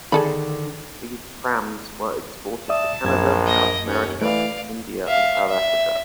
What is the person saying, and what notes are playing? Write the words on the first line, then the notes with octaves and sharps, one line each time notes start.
These prams were exported to Canada, South America, India and South Africa.
D3 D#3 D4 G#4 A4 B5
D5 E5 A5 D#6
A#1 F#2 G#6
A#3 D#5
D#2 C#4
E3 A3 D5 F5
E5 F5
E5